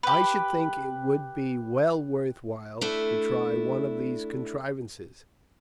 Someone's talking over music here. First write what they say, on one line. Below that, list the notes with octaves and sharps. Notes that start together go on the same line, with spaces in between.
I should think it would be well worth while to try one of these contrivances.
G4 B4
A3 D4 E4